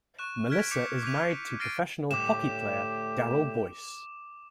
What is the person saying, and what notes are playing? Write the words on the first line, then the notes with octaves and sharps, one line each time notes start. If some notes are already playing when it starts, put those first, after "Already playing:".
Melissa is married to professional hockey player Darryl Boyce.
C#6 F#6 E7
F6 F#6 G#6 B6 D7
D6 G6 B6 C#7 F7
D6 G6 B6 D#7 F7
F6 A6 A#6 C7 D7 D#7
A2 D3 G4 D6 E7